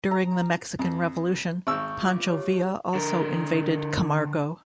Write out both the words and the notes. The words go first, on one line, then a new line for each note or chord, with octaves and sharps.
During the Mexican Revolution, Pancho Villa also invaded Camargo.
A#5
F2
G#1 C#6 E6 G6
F4 D6
G4 C#5
D3 A#4